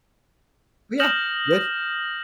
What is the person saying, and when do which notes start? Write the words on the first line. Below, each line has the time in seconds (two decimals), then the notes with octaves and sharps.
Oh yeah. Good.
1.00 D#6 F6 G6 A#6 E7 F#7